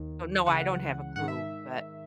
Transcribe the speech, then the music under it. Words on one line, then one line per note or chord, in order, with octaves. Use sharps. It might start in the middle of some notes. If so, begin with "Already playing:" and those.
So, no, I don't have a clue, but
Already playing: D#2 D#3
C#2 C#3 E3 F#5
G#2 D#3 F#5
E5